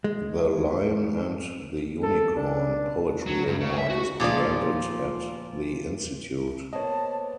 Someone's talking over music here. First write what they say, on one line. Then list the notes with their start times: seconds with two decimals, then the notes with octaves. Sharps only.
The "Lion and the Unicorn" Poetry Award is presented at the institute.
0.04 G#3
2.02 A4
2.36 D4
3.26 F#3
3.46 G2
3.60 C#3
3.76 E5
3.90 F#4
4.20 A#2 F3 F4 D5
6.73 A#3 B3 C5 C#5 D#5 A5